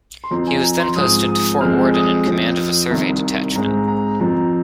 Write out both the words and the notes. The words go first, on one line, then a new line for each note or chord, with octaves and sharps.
He was then posted to Fort Worden in command of a survey detachment.
C6
F2 F3 C4 A#5
G#5
A#5
C6
G#2 F3 G#3 C4 D#6
D#6
F2 F3 G#3 C4 F6
D#6
F2 F3 C4
C2 C3 D#3
G#2 G#3 C4 A#5
A#5
F2 F3 C4 A#5